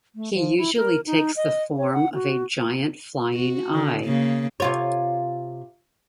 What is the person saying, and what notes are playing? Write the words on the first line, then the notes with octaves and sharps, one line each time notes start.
He usually takes the form of a giant flying eye.
A3
F3
E4
A#4
D#4
D#5
C#5
F#5
F#4
F#4
D3
C#3 A#3
C3 F4 C#5